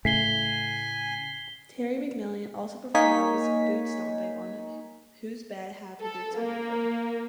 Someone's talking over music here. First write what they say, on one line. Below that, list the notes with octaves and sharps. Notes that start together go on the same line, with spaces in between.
Terry McMillan also performs boot stomping on Whose Bed Have Your Boots Been Under?
A2 C#3 A3 G#5 B6 C7 G7
A#3 D#4 C#5 G#5 B6
A4
A#3